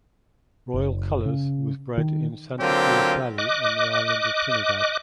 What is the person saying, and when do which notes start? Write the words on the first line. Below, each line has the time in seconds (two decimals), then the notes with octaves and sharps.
Royal Colours was bred in Santa Cruz Valley on the island of Trinidad.
0.74 F#1
1.25 C#3
1.97 D#3
2.60 D3 F#3 A#3 C4 F4 G4
3.38 D#5 D6 F#6